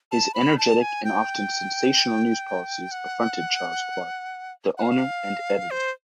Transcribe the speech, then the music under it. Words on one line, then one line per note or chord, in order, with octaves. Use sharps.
His energetic and often sensational news policies affronted Charles Clark, the owner and editor.
A5
B5
A5
G#5
G5
F#5
F#5
F5
C5